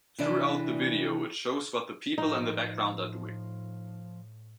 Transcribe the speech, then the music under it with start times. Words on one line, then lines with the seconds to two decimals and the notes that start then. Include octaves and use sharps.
Throughout the video it shows what the people in the background are doing.
0.18 C3 E3 D4
2.18 A2 F3 D#4